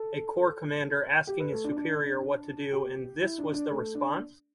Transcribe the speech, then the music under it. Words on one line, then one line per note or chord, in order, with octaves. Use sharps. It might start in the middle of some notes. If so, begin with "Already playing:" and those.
A corps commander asking his superior what to do and this was the response!
Already playing: A4
G4
B4
A3
D4
D4
G4
E4
D4
D4
A3
D4